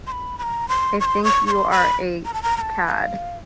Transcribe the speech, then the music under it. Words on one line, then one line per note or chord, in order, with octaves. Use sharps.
I think you are a cad.
C6
B5
B5
A#5
C6
C#6
C6
C#6
C#6
C6
B5
A#5
A5
A#5
A#5
A5
F#5
F5